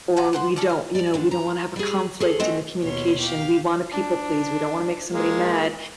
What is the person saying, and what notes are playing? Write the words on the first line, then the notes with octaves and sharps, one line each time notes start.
or we don't you know, we don't wanna have a conflict in the communication, we wanna people please, we don't wanna make somebody mad,
A4 F#5 G#5 A#5
C5 F#5 C6
C#4 A4 D5
F6
D5
D2 D3
A#5
G3 G#4
G#4 A4
G#3 A3 C4
D#2 B2 C#5 C6
G4 F5
D4
G#3 A#3